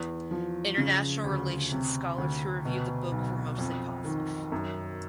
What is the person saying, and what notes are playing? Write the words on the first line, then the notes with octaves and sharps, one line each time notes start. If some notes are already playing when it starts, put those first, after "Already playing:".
International Relations scholars who reviewed the book were mostly positive.
Already playing: E2
F3
C#3
D2
C3
D2
B2
B1
F2
D#3
F#2